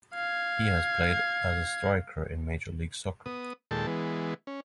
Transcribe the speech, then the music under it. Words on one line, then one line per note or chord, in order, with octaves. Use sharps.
He has played as a striker in Major League Soccer.
F5 G#6
B3 D#6
D#2 A#2 G#3 A4 G5 A5
E3 G#3 B3
C#4